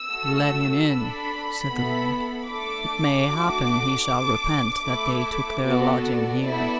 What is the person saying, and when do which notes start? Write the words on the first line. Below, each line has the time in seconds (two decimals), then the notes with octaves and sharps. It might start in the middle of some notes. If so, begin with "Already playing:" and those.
Let him in, said the lord, it may happen he shall repent that they took their lodging here.
Already playing: E6
0.11 A3 F#4 A4
0.90 D4 A4 B5
1.69 B3 E4 A4
2.48 A3 D4 A4 D6
3.27 A3 D4 F#4
4.05 D4 A4
4.84 A3 E4 A4
5.62 B3 F#4 A4 D5
6.41 B3 E4 A4